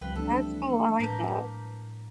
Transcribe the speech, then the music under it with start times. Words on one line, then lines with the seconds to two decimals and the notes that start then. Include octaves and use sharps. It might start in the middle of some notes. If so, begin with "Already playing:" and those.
That's cool, I like that.
0.01 C#2 F3 G3 C4 B4 F5 G5
0.16 E3 A3 D4 A4
1.00 A2 A#3 B4 A5 A#5 G6